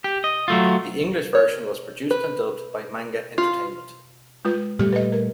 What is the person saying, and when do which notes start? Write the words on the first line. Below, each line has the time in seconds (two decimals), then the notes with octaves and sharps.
The English version was produced and dubbed by Manga Entertainment.
0.04 G4
0.24 D#5
0.48 F#3 A3 F4
1.35 C#5
2.11 B4
3.38 F4
4.45 G#3 F4 B4
4.79 A#2 G3 A3 G4
4.93 B4 D#5
5.12 A#4